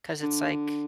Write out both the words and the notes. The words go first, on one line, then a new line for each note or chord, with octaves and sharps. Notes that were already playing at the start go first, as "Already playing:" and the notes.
'Cause it's like
D3